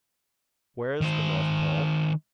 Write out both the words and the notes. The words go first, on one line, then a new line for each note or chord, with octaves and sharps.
"Where is the North Pole?"
D#3 C5